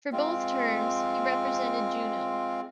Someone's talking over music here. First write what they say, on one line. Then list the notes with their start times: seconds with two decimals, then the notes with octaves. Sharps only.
For both terms, he represented Juneau.
0.12 G#3 C4 F4